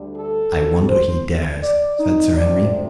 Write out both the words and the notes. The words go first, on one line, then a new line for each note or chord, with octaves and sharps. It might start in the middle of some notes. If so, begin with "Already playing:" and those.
"I wonder he dares," said Sir Henry.
Already playing: D2 D3 G3
A4
C5
D5
D#4
D2 C3 F3 D5